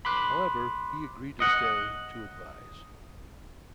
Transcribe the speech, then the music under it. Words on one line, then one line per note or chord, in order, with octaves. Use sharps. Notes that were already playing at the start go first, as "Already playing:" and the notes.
However, he agreed to stay to advise.
B5 C6 D6 F#6
D#5 F#5